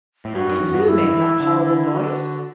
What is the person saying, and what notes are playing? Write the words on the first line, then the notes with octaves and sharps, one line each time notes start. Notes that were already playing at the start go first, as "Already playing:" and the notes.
"Did you make that horrible noise?"
A2
G2 F#4
F#2
E2
G2
F#2 E4
G2
E3
D3
F#4